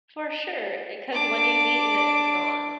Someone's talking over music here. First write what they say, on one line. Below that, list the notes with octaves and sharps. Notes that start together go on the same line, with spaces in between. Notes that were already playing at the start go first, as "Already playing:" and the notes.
For sure, eh 'cause when you've eaten it, it's gone.
D4 D6